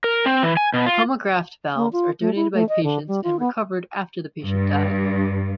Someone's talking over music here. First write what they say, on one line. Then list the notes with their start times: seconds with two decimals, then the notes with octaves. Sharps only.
Homograft valves are donated by patients and recovered after the patient dies.
0.04 A#4
0.26 C4
0.43 E3
0.57 G#5
0.74 B2
0.86 F4
1.76 A#3
1.93 F4
2.20 A3
2.36 E4
2.54 A3
2.69 D#5
2.84 D3
3.08 G3
3.24 F4
3.40 B3
4.42 G2